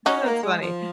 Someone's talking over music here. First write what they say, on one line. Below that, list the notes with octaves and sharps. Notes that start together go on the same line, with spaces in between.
That's funny.
C#4 D#4 F#4
A#3
G#3
F3